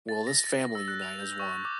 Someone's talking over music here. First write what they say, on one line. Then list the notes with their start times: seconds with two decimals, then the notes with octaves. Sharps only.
Will this family unite as one?
0.09 A6
0.27 A#6
0.47 A6
0.75 E6
0.88 F#6
1.02 F7
1.19 G6
1.39 C#6
1.65 D6